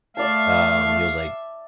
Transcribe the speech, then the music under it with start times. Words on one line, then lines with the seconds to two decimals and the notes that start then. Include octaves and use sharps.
um, he was, like
0.17 A3 D5 E5 F5 A5